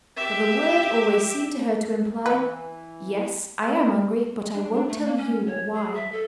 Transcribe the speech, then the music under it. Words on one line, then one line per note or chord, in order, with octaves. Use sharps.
But the word always seemed to her to imply: "Yes, I am angry but I won't tell you why."
G4 E5
E3 B4
D4
D4
A3
A#3
C#4
C#5
G#4
E5
A4